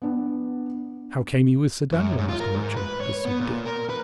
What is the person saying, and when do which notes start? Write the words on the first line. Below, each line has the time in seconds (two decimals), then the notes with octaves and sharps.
"And how came ye with Sir Daniel, Master Matcham?" pursued Dick.
0.02 B3 D4
1.92 F#2
2.17 G#2
2.29 F4
2.40 A#4
2.56 G#2
2.77 B4
3.00 C#5
3.26 B3
3.40 A#2
3.66 A#4
3.89 B4